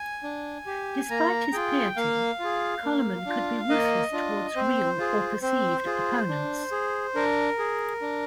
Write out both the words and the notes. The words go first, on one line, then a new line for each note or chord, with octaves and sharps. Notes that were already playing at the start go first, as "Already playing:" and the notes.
Despite his piety, Carloman could be ruthless towards real or perceived opponents.
Already playing: G#5
D4
G4
A#3 A#5
F4 G#4 G5
A#3 F5
F4 G#4
A#3
D4 F4
A#3 D#5
D4 F4
C4 C5
F4 G#4
C4 C5
F4 G#4
D4
G#4
D4 A#4
G#4
D4